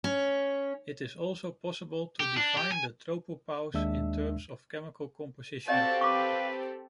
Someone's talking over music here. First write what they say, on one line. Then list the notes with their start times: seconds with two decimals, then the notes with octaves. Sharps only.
It is also possible to define the tropopause in terms of chemical composition.
0.04 C#4
2.20 G4
2.37 D4
2.57 G4
2.72 G#5
3.74 D#2 G#3 D4 E5 E6
5.68 C4 F#4 G4 A4 C#5 D5 F5 A5
6.01 B4 C#6 D6